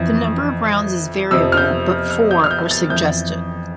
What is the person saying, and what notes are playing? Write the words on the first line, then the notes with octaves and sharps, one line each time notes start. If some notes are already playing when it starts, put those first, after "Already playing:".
The number of rounds is variable, but four are suggested.
Already playing: F2 E3
F2 C3 F3 E6
F6
G6
F6
G6
F6
G6
A6
F2 E3 G6